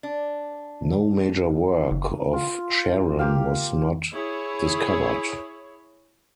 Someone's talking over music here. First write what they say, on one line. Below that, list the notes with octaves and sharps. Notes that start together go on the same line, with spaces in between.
No major work of Sharan was not discovered.
D4
F#1
F4
A#3 G4 F5
E4 G#4 C#5